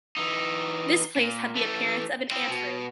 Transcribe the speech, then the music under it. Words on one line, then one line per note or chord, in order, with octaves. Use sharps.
This place had the appearance of an ante-room.
E3 D#4
A#2
E3 A3
C4 E4
B2